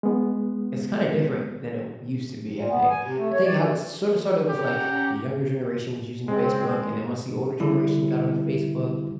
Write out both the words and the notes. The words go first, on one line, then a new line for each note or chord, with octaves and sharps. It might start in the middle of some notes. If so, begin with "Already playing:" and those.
it's kinda different than it used to be, I think I think how it sorta sorta was like the younger generation was using Facebook and then once the older generation got on Facebook,
G#3 B3
A#2
B3
G#5
C3
A3
C#5
D5
C#4 G4 F#5 A#5
C#3 G#3 C4
D3 G3 E4